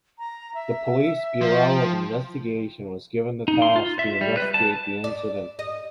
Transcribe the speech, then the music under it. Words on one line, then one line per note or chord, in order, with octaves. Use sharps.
The Police Bureau of Investigation was given the task to investigate the incident.
A#5
E5
F3
G5
D#4
C6
F4
E5
G3
B4
A5
D5
D#5